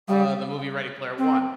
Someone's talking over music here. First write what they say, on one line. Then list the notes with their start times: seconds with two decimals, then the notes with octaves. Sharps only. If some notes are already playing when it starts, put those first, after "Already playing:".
Uh, the movie, Ready Player One.
0.08 G3
1.18 C4